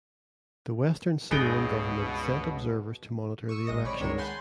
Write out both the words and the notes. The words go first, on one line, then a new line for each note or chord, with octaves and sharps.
The Western Samoan government sent observers to monitor the elections.
C#2 G2 B2 B3 D#4 G#4 G5
C#6 D#6 E6
A1 G#3 D#5 A#6
C3 C#5 D5 B5 C#6
C#2 D#3 G#3 A#4 C#5 E7
F#5 G#5 A5 B5 C6 G6